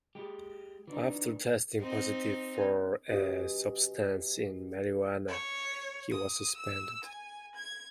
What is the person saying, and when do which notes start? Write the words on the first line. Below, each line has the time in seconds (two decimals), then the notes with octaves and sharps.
After testing positive for a substance in marijuana, he was suspended.
0.15 G#3 G4
0.87 E3 D4 D#4
1.80 C4 D#4
3.08 C#4 F#4 G4 B4 D#5
5.28 C#5
6.12 D#6
6.58 E6
7.04 G#5
7.55 G#6